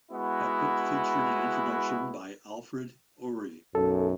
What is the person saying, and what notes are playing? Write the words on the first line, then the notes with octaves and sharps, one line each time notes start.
That book featured an introduction by Alfred Uhry.
G#3 B3 E4 F#4
B1 F#2 A4